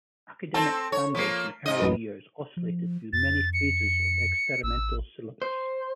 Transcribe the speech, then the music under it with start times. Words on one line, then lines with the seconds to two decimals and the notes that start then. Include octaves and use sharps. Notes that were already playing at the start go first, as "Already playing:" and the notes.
Academic standards in the early years oscillated through many phases of experimental syllabus.
0.54 C4 A4 A5
0.92 C#5
1.15 F3 A#3 B6 C7
1.66 G#2 D#5
1.80 A1 F#2 B4
2.57 F3
3.13 F2 A6
3.53 C#7
4.63 A1 E6
5.42 C5